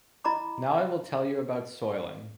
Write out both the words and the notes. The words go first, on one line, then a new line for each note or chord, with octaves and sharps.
Now I will tell you about soiling.
E4 D#5 A#5 B5 D6